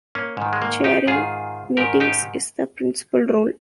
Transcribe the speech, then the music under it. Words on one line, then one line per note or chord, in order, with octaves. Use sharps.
Chairing meetings is the principal role.
A#3 C#4
G#2 D#3
G#3
A#3
D#4 G4
G#2 D#3 F4 G#4
G#2 D#3 G4 A#4
D#4 G4